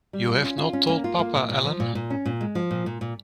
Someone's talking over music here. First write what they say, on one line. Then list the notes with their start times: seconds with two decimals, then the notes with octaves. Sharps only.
You have not told papa, Ellen?
0.13 G3
0.28 F4
0.43 C#4
0.58 F4
0.73 C#4
0.89 A#3
1.04 F4
1.19 A#3
1.34 A#2
1.49 A#2
1.64 F3
1.80 A#2
1.95 A#2
2.10 C#4
2.26 A#2
2.41 G#3
2.55 F3
2.71 A#2
2.86 A#2
3.01 A#2